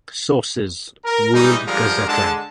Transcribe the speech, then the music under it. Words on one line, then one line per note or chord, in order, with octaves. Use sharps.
Sources : World Gazetter.
A#4
E3 G3 G#3 D#4
D3 F3 G3 G#3 F4 A#4
D3 G#3 A5